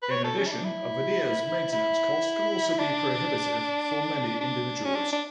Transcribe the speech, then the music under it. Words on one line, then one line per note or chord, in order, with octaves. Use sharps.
In addition, a veneer's maintenance cost can also be prohibitive for many individuals.
B4
C#5
A4
C#4
E4
D4
E4
E4
D4
D4
C#4
D4
D4